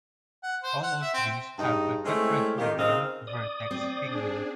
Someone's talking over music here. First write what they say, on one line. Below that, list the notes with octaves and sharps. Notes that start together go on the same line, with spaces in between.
All of these have a tetrahedral vertex figure.
F#5
C5
F#5
E5
C4
G2 C#3 D#4
G#3 A3 C4 C#4 E4
F2 D#3 A#3 G4
C#3 C4 D#4 D#5 F5
D5 D#6
C4
D4 G#4